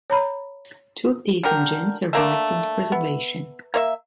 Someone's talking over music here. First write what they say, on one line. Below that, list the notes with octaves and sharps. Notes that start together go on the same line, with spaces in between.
Two of these engines survived into preservation.
C#5 A#5 B5
D3 F#3 A#4 G5
A3 A#3 D4
B3
A#3 C#5 E5